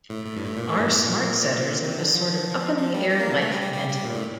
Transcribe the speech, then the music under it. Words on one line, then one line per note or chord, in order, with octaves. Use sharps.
Our smart setters live a sort of up-in-the-air life mentally.
A2
A2
G2
A2
A#2
A2
G2
A2
A#2
C3
D3
F3
F3
G3
G3
A#3
C3
A3
G3
G3
G3
G3
A#2
A2